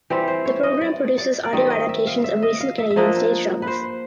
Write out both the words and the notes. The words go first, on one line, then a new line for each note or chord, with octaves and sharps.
The program produces audio adaptations of recent Canadian stage dramas.
E3 G3 C4 G4
C5
C#5
D#5
D5
D5
D5
D#3 G3 C4 D#5
D#5
E5
F5
E5
D#5
F5
E5
E5
F3 A#3 D4 D#5
B4
C5